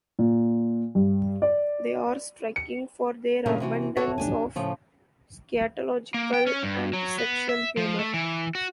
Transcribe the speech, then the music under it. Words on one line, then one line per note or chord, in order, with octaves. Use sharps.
They are striking for their abundance of scatological and sexual humor.
A#2
G2
D5
C#7
G2 A#2 C#3 E3 A#3 A#4
C3 E3 F#4
F#4 A4 C#5 D5 E5
D4 G4 G#5
A2 C#3 F3 C#5
A#3
G5
C#4
G2
F#3
B3
E5
F3
A3
E3
F#4